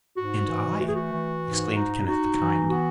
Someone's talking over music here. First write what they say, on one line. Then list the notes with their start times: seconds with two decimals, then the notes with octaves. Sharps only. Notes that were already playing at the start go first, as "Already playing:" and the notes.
"And I," exclaimed Kenneth the Kind.
0.17 G#2 F#4
0.48 E3
0.80 A3 F#4
0.88 G#4
0.96 F#4
1.12 E3
1.44 G#2
1.74 D#4
2.06 D#4 F#4
2.38 E3
2.70 B3 F#4